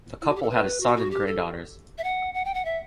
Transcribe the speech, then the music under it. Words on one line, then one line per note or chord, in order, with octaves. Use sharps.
The couple had a son and granddaughters.
E4
F#4
G4
A4
B4
F#4
F#4
G4
A4
E5
F#5
F#5
G5
F#5
E5